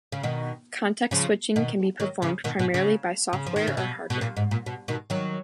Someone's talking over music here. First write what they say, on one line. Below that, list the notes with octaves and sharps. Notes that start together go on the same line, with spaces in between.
Context switching can be performed primarily by software or hardware.
C#3
B2 D#3
C#3 F3
B2 D#3
D#3 F#3
C#3 F3
B2 D#3
B2
C#3
C#3
F3
D#3
C#3
B2
B2
A#2
G#2
A#2
B2
B2 D#3
D#3 F#3